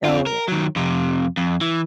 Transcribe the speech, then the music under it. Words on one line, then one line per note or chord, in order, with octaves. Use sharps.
Oh, yeah.
C4 F4
A#4
D#3 F#3
F2 C3
F2
E3